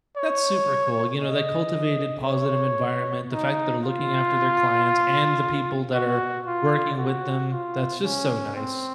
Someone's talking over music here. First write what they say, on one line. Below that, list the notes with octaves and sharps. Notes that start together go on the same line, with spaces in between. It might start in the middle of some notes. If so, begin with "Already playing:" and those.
That's super cool. You know, that cultivated positive environment, the fact that are looking after their clients and the people that are working with them. That's just so nice.
C#5
D#5
C#5
D#4
F4
F#4
F4
F#4
F4
C#4
C4